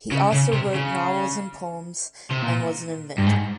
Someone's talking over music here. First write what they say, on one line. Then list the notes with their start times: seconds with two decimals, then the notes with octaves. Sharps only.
He also wrote novels and poems and was an inventor.
0.12 C#3
0.32 C#3
0.53 C3
0.75 C#3
2.31 C3
2.42 A#2
3.18 G2
3.26 G#2